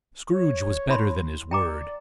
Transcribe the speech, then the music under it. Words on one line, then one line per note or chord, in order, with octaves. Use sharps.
Scrooge was better than his word.
C#5
E4 B5 C6
D5 G5 A#5 D6